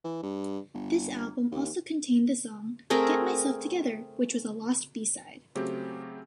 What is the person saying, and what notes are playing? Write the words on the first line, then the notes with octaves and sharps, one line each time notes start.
This album also contained the song "Get Myself Together" which was a lost B-side.
E3
G2
G1
D#2
A3 C4 G#4 A#4
C#3 F#3 A3 C4 G4